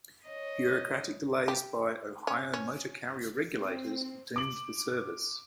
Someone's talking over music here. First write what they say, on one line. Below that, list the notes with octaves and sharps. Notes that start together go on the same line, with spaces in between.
Bureaucratic delays by Ohio motor carrier regulators doomed the service.
C#5 D#5
G4
C#4
C#4
C4
D6 F#7